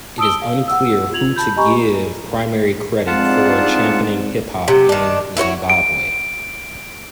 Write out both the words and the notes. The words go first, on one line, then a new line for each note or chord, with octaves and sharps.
It is unclear who to give primary credit for championing hip hop in Zimbabwe.
A5 D#6 E6 D7 G7
F5
F#5 E6
F4 G#6 F7 F#7
A5 B5 G6
G4 D#5 G#5 A#5 B5 C#6
G#2 G#3 C4 D4 F4 F#5 A5
C3 F#3
D#3 D4
E4 F#4 C5 C#5
D7